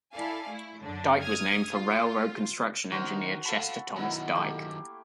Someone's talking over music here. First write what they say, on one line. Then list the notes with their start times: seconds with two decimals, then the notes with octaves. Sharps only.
Dike was named for railroad construction engineer Chester Thomas Dike.
0.13 E4 A4 D5 F5 G#5
0.50 A3 E4
0.83 F#2 D3 D4
1.21 D#6 F6 G#6
1.73 F4
2.92 D#3 F#4 C5
3.45 A4 F5 A5 B5
3.96 D#3 F#3 B3 E4
4.35 A3 A#3 G4